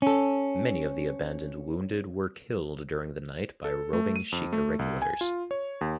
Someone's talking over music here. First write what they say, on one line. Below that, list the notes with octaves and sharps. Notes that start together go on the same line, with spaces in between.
Many of the abandoned wounded were killed during the night by roving Sikh irregulars.
C#4 A4
A4
A3
D#7
F2
A3
C2
G#5
F4
C#5
D#2